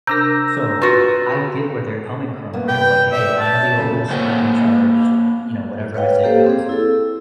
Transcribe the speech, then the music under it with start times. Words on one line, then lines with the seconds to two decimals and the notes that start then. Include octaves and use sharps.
So, I get where they're coming from where it's like, "Hey. I'm the oldest. I'm in charge," you know, "Whatever I say goes."
0.07 C3 D4 A#4 A#5 E6 G6 A#6
0.82 F4 F#4 B4 C#6
2.53 A#3 B3
2.68 D#2 C3 B4 G5
3.12 D5 E5
3.39 A5
3.57 C#5
3.77 F#2 C#3 A4
4.10 A#3 C5 C#5 F#5 G5
5.94 B4 C#5 F5 G5
6.23 A#3 G4 A4 C5 F5
6.46 C4 G#4
6.69 E4 A4